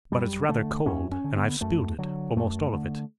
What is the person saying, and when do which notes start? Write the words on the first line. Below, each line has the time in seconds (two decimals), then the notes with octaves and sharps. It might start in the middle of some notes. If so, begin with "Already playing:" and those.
"But it's rather cold, and I've spilled it--almost all of it."
0.12 F#2 G3
0.49 D3 A3
0.86 F#2 C#4
1.12 C#4
1.24 D3
1.36 B3
1.61 F#2 A3
1.99 D3 F#3
2.36 F#2 A3
2.73 D3